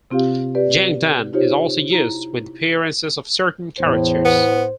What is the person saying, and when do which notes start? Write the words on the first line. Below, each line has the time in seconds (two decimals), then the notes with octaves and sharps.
"Jangdan" is also used with the appearances of certain characters.
0.11 C3 C4 F4 G4 F5
0.55 G4 B4 D5
1.33 D#4 F4 G4 C5 C#5
1.91 E4 A#5
3.79 E2 A2 C5
4.25 B3